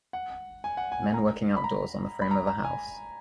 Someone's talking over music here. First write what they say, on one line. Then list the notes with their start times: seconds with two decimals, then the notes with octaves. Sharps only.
Men working outdoors on the frame of a house.
0.13 F#5
0.64 G#5
0.77 F#5
0.92 G#5
1.14 A#5
1.57 B5
1.64 A#5
2.21 B5
2.31 A#5
2.47 A#5
2.64 G#5